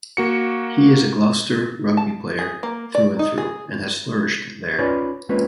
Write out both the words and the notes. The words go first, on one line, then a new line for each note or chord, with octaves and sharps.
He is a Gloucester Rugby player through and through and has flourished there.
A#3 F#4 C#7
A5
G#4
A#3
D5
D#4
G#4
C#4 D#4 F4 B4 C#5 D5
G#3 A#3 C4 C#4 F4 B4